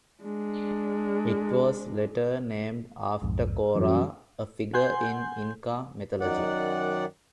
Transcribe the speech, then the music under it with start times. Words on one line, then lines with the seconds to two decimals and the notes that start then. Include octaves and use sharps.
It was later named after Cora, a figure in Inca mythology.
0.24 G#3 D4
3.22 B1 F2 G#2
3.75 F#2 E3 G3
4.74 F#5 G#5 C6 G6
6.21 F#2 D#3 D5 F#5